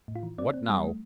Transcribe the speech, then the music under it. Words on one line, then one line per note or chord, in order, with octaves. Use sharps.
"What now?"
A2
F4
E3
C4 D5
C4
G3
A3